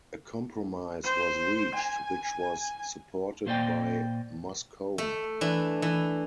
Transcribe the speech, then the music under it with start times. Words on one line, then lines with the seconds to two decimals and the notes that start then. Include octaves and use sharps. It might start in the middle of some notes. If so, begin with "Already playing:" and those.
A compromise was reached which was supported by Moscone.
1.04 C5
1.75 G#5
3.46 A#2 A#3 C5 D5 D#5 G5
4.98 A3
5.41 E3 D4
5.82 E3